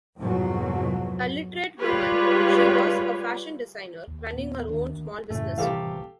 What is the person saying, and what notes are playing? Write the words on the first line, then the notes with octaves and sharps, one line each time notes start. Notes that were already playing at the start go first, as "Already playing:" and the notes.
A literate woman, she was a fashion designer, running her own small business.
C2 F2 G#2 B2 F#3
G3 G#3 F4 G4 B4 C#5
D#2
A#2 B3
D2 D#3 D4
F#2 A2 C#3 E3 A3
D#1 C2 A2 E3 G4 A4 F5